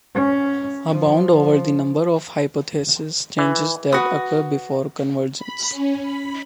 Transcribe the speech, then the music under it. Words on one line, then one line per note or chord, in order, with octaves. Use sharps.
A bound over the number of hypothesis changes that occur before convergence.
C#4
F3
E3
F#4 B4 D#6
B5
C#4
B5